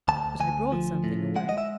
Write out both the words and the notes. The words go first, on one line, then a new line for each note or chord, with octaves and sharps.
But I brought something away.'
D2 A5
D2 G#5
F3
A2
G#3 F#5
D#5
E5